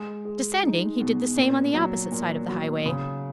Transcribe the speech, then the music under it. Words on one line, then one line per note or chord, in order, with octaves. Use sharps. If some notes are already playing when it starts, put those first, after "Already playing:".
Descending, he did the same on the opposite side of the highway.
Already playing: G#3
G#4
D#4
B2
A#2
F#3
A#2
F#3
C#3